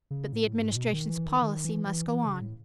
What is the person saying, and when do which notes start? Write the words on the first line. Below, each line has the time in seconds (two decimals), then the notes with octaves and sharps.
But the Administration's policy must go on.
0.11 C#3
0.33 A2
0.55 G#2
0.72 A2
0.76 B2
0.93 D#3
1.09 E3
1.26 D#3
1.42 D#3
1.64 E3
1.86 E3
2.08 E3
2.25 C#3
2.41 A2